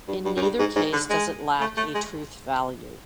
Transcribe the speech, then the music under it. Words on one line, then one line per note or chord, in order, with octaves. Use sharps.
In neither case does it lack a truth value.
G2
G2
F#2
G2
G#2
G#2
D3
G#3
A3
A3
G#3